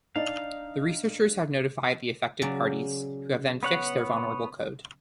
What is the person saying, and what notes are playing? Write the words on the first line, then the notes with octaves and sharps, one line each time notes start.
The researchers have notified the affected parties, who have then fixed their vulnerable code.
D4 D#4 D5 F5
C#3 F#3 D5
B3 C#5 F#5